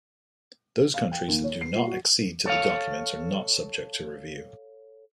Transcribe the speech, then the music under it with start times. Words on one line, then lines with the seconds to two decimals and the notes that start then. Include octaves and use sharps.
Those countries that do not accede to the document are not subject to review.
0.94 F5
1.11 G5
1.28 D#2
1.44 C#5
1.61 C7
1.74 A#2
1.87 F#4
2.45 A4 C#5 F5